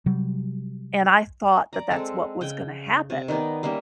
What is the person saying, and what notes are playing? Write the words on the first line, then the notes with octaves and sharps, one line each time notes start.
And I thought that that's what was gonna happen,
C3 F#3 G3
D5 A#5
G#3 C4 A4
C#3 G5
C3
D#3 B3 D#4 D5
G3 A#3 C#4 E5